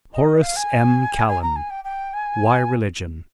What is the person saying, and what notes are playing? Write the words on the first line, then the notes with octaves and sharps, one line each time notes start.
HORACE M. KALLEN, "Why Religion?"
D#5
F5
G#5
G#5
A#5
G#5
G5
G5
G#5